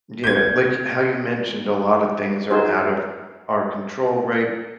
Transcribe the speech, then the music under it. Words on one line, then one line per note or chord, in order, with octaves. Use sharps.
Yeah, like, how you mentioned a lotta things are out of our control, right?
G6 G#6
D#4 F#4 G#4 C5